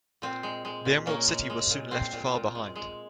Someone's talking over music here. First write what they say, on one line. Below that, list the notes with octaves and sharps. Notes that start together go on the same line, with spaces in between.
The Emerald City was soon left far behind.
A#2 C4
G#3
G#3
A#2
A#2 A#3 C#4
G#3
G#3
A#2
A#2 C4
A#2
A#2
G#3
G#3